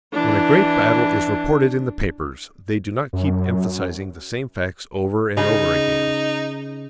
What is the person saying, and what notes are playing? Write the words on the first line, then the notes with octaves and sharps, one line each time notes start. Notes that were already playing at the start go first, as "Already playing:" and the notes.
When a great battle is reported in the papers, they do not keep emphasizing the same facts over and over again.
E3 D4
F#2
C#3 D#4